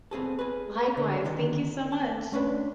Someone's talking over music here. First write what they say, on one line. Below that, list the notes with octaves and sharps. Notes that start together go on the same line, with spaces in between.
Likewise. Thank you so much.
B3 C4 G#4 A4
G#4 B4
D3
D3 D#3 D#4
A5
A3 C#4 D4 B4